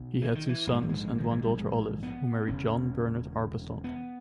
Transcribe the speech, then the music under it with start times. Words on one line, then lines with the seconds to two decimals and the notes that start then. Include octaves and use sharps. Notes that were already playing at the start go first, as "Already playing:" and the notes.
He had two sons, and one daughter Olive, who married John Bernard Arbuthnot.
Already playing: B1 B2
0.22 E3
0.35 D#3
0.49 E3
0.67 A#1 A#3
0.71 G#2 G#3
0.82 G3
0.89 G#3
1.18 D#3
1.31 E3
1.44 G3
1.57 G#3
2.03 B3
2.47 E1 E2 C#3 C#4
3.84 B3